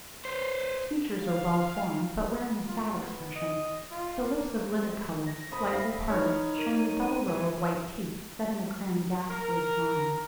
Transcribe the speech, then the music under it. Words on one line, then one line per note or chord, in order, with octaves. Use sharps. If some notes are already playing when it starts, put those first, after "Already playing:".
Its features are well formed, but wearing a sad expression; the lips of livid colour, slightly parted, showing a double row of white teeth, set in a grim ghastly smile.
B4 C5
F5
F4
B3
D#5
F4
A#3
C4
A#6
C5 B5 D#6
E5 F5
D#4 C#5 F6
A#4 D#7
E3
A#4